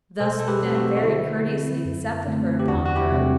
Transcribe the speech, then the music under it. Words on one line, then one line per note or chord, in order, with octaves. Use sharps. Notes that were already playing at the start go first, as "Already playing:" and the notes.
Thus Lunete very courteously accepted her upon her oath.
B2 A4 C5
A4
G4 B4
F#3 A3 C4
F#4 A4
F#4
D3 E4
F#3 C4
F#2
D3 A3 C4
G4
E2 D4 F#4
F#4
E4 G4
C3 G3 C4